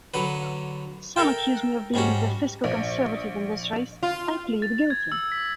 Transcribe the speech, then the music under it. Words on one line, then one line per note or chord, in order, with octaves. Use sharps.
Some accuse me of being the fiscal conservative in this race-I plead guilty!
D3 F#3 B4
A4 A#4 E5 G5
G#2 G3 C#4 F#4
A#1
F4
A6
G#6
E6
B6